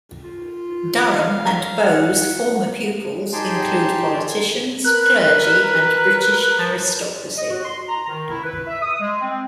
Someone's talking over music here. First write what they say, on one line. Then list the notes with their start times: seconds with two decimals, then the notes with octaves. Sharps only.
Durham and Bow's former pupils include politicians, clergy and British aristocracy.
0.24 F4
1.14 F5
1.45 A#5
1.83 F#5
3.33 D#4 G4 G#4 G5 A5 C6
4.84 A#4 B4 F#6
7.37 D#5
7.50 F#4
7.65 C6
7.89 A#5
8.08 D#3
8.30 E4
8.44 B4
8.67 E5
8.82 D#6
9.00 G#3
9.21 C4